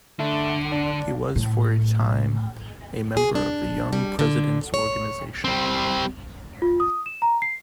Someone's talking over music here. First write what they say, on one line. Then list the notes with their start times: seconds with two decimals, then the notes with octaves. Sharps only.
He was for a time a member of the Young Presidents' Organization.
0.19 D3 A3
0.72 D4
1.36 A2
3.17 G#4
3.35 D4
3.93 G3
4.19 D3
4.74 C#5
5.44 G3 C4
6.62 F4
6.80 D#6
7.06 E7
7.22 A#5
7.42 C7